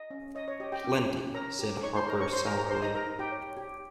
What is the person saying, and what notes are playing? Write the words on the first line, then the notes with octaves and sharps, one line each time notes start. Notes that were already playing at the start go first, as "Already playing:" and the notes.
"Plenty," said Harper sourly.
Already playing: D#5
C#4
C#5 D#5
C#5
G4 D#5
G4 G5
C#4
C#4
A#4 C#5 A#5
G4
D#4 C#5 C#6
C5 C6
D#4 A#4 A#5
C#5 C#6
C5 C#5 C6
A#4 A#5
G4 A#4 A#5
C5 C6
D#4 D#5 D#6
A#4 A#5
D#4
G4 G5
C#5
G4